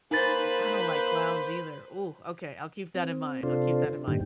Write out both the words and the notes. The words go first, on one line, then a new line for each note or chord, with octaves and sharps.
I don't like clowns either. Ooh, okay, I'll keep that in mind. I'll keep that in mind.
A#3 D#4 B4 C5 A6
C4
C3 D4 F4 A4 C5
G2 A#2 D3 D#3 G4